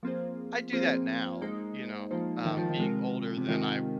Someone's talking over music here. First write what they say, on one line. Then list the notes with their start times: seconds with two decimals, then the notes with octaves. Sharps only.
I do that now, you know, um, being older than I
0.03 F3 A#3 C4 F4 G#4 C5
0.73 F3 A#3 C4 F4 G#4 C5
1.41 G#3 A#3 D#4 C5
2.11 F3 A#3 D#4 C5
2.45 D#3
2.57 F3
2.69 D#3
2.79 C3 G#3 F4 A#4
3.37 C3
3.48 D#3 G#3 F4 A#4